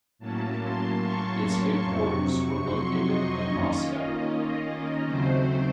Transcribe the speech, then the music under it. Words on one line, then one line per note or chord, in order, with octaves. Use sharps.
Its headquarters were located in Moscow.
A2 F#3 A#3 C#4 A5
C6
C#6
F2 C3 F#3
C6
D#5
D#3 A#3 C#4 F4 D#5
D#2 C#3 F#3 A3 C4 C5